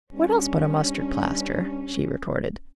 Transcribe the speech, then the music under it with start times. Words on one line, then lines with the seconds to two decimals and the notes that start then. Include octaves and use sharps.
"What else but a mustard-plaster!" she retorted.
0.13 G2 C#4